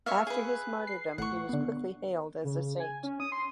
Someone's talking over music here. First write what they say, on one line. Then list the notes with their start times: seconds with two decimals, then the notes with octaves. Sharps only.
After his martyrdom, he was quickly hailed as a saint.
0.06 C#5 E5 F5
0.27 G#4 B4
0.87 C7
1.18 A1 A2 F#5 C#6
1.49 D3 B3
2.44 C#3
2.80 G#5
3.03 C#4
3.20 D#6
3.32 C6